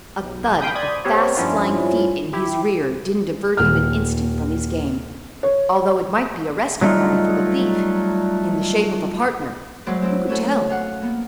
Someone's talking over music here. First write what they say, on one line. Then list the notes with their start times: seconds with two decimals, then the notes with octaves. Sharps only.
A thud of fast-flying feet in his rear didn't divert him an instant from his game, although it might be a rescue party for the thief, in the shape of a partner,--who could tell?
0.23 B1
0.61 F5 G5 B5 D#6 G6
0.75 C5 D5 B5 D#6 G#6
1.04 B3 C4 G4 A#4 C5 C#5
1.36 G2 F3 C#4 D4 E4 F4
2.33 E4 G4
3.57 D#1 F6
5.43 C#5
6.81 F#3 G3 A3 B3 D#4 F4
9.86 F#3 G#3 A3 B4 C5 D5
10.01 G#3 C4 E4
10.29 A3 C#4 F#4 A4 B4 C#5
10.69 F5 F#5
11.02 A#3 B3